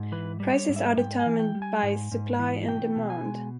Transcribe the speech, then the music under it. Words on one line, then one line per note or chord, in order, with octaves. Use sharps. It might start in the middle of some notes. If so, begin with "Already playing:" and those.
Prices are determined by supply and demand.
Already playing: G#2
E3 B4
G3
C#5
G#2
E5
G#2 G5
G#5
E3
G5
G3
G#5
G#2
G#2
E3
B2 G5
B2
G#5
G#3